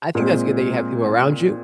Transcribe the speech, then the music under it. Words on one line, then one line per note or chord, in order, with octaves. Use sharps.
I think that's good that you have people around you,
A#2 G#3 C4